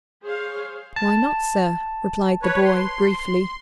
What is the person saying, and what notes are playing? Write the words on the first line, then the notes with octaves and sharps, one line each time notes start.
"Why not, sir?" replied the boy briefly.
G#4 C5 C#5 F5
A5
B4 C#5
C6